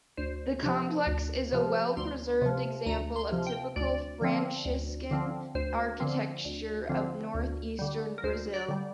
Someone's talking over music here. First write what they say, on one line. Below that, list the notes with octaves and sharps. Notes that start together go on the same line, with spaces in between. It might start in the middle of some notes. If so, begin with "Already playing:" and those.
The complex is a well-preserved example of typical Franciscan architecture of north-eastern Brazil.
D2 C5
C3 F3
D2
C3 F3
D2 C6
C3 F3
D2 A#5
C6
C3 F3
G5
D2 D5
D3 F3 C4
D2
D3 F3 C4
D2 C5
D3 F3 C4
D2
D3 F3 C4
D2
D3 G3
A#4
D2 C5
D5
D3 G3